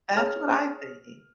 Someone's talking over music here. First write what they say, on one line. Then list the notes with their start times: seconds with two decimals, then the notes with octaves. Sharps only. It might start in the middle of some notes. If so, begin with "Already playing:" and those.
That's what I think.
0.15 G#4 C#5 F6